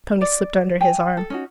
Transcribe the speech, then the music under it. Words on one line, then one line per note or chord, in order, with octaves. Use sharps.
Tony slipped under his arm.
D5
G5 G#5
A4
C#4 D#4 F#4